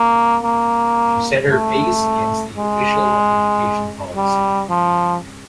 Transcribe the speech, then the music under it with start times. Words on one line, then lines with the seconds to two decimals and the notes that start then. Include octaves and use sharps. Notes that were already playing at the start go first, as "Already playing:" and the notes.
She set her face against the official education policy.
Already playing: A#3
0.44 A#3
1.50 A3
2.57 G#3
4.16 G3
4.69 F3